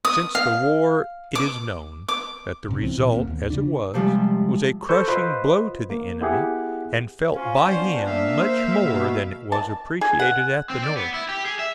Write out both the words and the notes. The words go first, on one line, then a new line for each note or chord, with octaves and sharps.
Since the war it is known that the result, as it was, was a crushing blow to the enemy, and felt by him much more than it was appreciated at the North.
D#6
F5
D6
D6
G#2 C3 C#4
C2 E3 C4
A#2
D#1 A#3 C4
D#2
E1 C#3 D4
C3 F3 G3 G#3
A4 B4 C5 C#6 E6 G6
F4 B4 C5 D#5
A#3
B3 E4 G4 G#4 F#5
C#4 F4 C5 C#5 F5
B3 D4 C5
A#3 E5 F5
C5
B2
A5
G#4
F#5
C4
D5
B3
E4
G4
G#4
E5